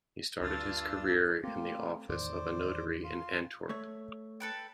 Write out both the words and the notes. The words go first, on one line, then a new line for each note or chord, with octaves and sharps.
He started his career in the office of a notary in Antwerp.
D2 G2 D4 F4 E6 A6
A3 A#3 C4 F4 G4
E2 A2 D#3 C5 D5
F4 C6
A3 C#5
A4 B4 G5